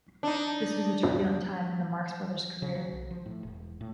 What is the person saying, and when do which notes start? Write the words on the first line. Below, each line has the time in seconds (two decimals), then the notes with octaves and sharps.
This was a turbulent time in the Marx Brothers' career.
0.23 D4 D#4
2.62 C#3
2.75 F#3
2.92 B1
3.11 F3
3.26 A2
3.43 E1
3.81 A2